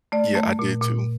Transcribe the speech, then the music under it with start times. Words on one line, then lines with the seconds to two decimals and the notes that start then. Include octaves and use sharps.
Yeah, I did too.
0.12 A3 D5
0.35 A3
0.59 A#2
0.81 A#2